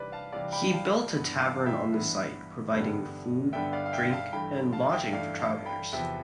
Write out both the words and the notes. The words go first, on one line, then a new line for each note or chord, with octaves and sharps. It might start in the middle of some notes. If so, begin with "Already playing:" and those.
He built a tavern on the site, providing food, drink and lodging for travelers.
Already playing: C3 E3 G3 B4 D5
F5 A5
C3 E3 G3 D5 F5
G5 B5
G5
F5 A5
F5 A5
G2 E3 B3
F5 A5
E5 G5
G2 E3 B3
G2 D3 G3 B3
G2 D3 G3 B3 E5 G5
D5 F5
F5
E5 G5
F5 A5
G2 E3 A3 G5 B5
F5 A5
E5 G5
G2 E3 A3 D5 F5
F5 A5
G5 B5
E2 C3 F3 B3 E5 G5